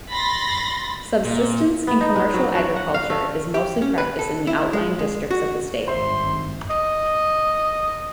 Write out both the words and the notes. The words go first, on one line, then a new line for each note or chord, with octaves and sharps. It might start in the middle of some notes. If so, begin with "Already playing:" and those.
Subsistence and commercial agriculture is mostly practiced in the outlying districts of the state.
B5 C6 A6 A#6
A#2
B3
D#4
G#3
F#3
F#4
F#5
F5
A3
G4
C#4
B4
A4
E4
G#3
G#3
F#4
G#1 G2 C5 E5 C6
D#5